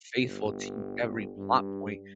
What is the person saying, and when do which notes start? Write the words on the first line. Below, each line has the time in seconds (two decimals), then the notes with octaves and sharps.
faithful to every plot point,
0.20 G1
1.38 G2